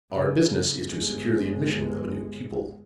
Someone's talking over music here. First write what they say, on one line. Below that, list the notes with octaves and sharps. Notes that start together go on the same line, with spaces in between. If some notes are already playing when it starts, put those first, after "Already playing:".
"Our business is to secure the admission of a new pupil."
C#3
G1 G#3